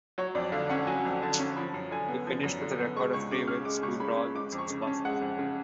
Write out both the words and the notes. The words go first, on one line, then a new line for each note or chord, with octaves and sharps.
He finished with a record of three wins, two draws, and six losses.
F#3 C#5
F2 D5
D3 F5
C#4 F#5
F#3 G#5
F2
D3 A5
C#4
F3 B5
F#2
D3 G#5
B3
F3
F#2
D3
B3
G#3 C#6
C#2 C#6
C#3 D6
C#4 F6
G#3 D6
C#2 C#6
C#3 B5
C#4
G#3 D6
F2
C#6
C#3
A5
C#4
G#3 F#5
F2
C#3